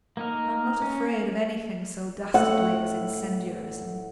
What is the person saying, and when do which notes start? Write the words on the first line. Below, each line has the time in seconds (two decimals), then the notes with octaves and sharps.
'I'm not afraid of anything so dastardly as incendiarism.
0.17 A#3 D#4 A#4
0.82 C#4
2.34 A2 F#5